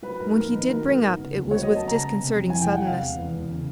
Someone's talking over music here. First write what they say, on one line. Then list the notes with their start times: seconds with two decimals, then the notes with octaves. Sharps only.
When he did bring up it was with disconcerting suddenness.
0.02 F#3 B4
0.20 G#2 A#4
0.36 A#1 A#4
0.52 D#3 B4
0.69 F#3 A#4
0.85 G#2 A#4
1.02 B3
1.18 C#3
1.34 D2
1.51 F#3 C#5
1.63 B3 D#5
1.76 A5
1.84 C#3 A#5
2.00 G#3
2.16 C3
2.33 F2
2.49 E3 G#5
2.62 G#3 G5
2.74 F#5
2.83 C3 F5
2.99 E1
3.16 E2
3.33 E1
3.49 C#3